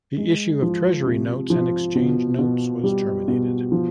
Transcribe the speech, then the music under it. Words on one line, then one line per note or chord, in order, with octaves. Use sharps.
The issue of treasury notes and exchange notes was terminated.
G#3
F3
C3
F3
B2
B2
G3
B2
F3